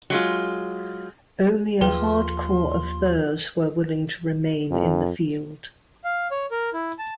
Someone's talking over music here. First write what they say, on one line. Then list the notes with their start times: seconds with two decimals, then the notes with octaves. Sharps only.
Only a hard core of Boers were willing to remain in the field.
0.10 F#3 G#3 F4
1.81 D#2 F3 G#4 B4 G5 C6
4.71 F2
6.04 F5
6.31 C#5
6.51 A#4
6.73 E4
6.99 A5